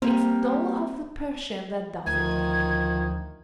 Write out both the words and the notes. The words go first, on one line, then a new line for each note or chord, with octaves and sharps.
It's 'Dolokhov the Persian' that does it!
G3 A#3 C4 G4
D2 D#3 F3 G#6